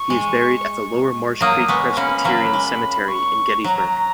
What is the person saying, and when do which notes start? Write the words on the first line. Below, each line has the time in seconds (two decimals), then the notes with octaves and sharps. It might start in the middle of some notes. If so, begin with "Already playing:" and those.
He is buried at the Lower Marsh Creek Presbyterian Cemetery in Gettysburg.
Already playing: C#6
0.10 G#3
1.41 F#3 A#3 D#6
1.68 G#3 B3 C#6
1.97 A#3 C#4 B5
2.24 F#3 A#3
2.53 G#3
3.04 B5
3.08 C#6
3.64 F#3 A#5